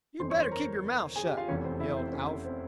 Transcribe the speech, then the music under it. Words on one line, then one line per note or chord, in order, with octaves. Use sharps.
"You better keep your mouth shut," yelled Alf.
G1 F2 E3 C5 C6
C#5 C#6
C5 C6
A#4 A#5
G#4 G#5
G4 G5
F4 F5
F1 E2 C3 E3 C#4 C#5
C4 C5
E4 E5
C4 C5
C#4 C#5
C4 C5